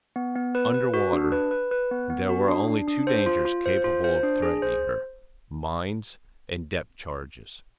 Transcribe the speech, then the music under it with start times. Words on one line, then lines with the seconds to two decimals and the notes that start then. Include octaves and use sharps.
Under water there were only two dangers capable of threatening her--mines and depth-charges.
0.16 B3
0.35 B3
0.55 B4
0.74 B4
0.94 F#4
1.13 D4
1.32 B4
1.51 B4
1.71 B4
1.91 B3
2.10 B3
2.29 F#4
2.48 D4
2.68 D4
2.88 D4
3.07 C5
3.26 F4
3.45 F4
3.66 C5
3.84 F4
4.04 C5
4.23 D4
4.42 G#4
4.62 C5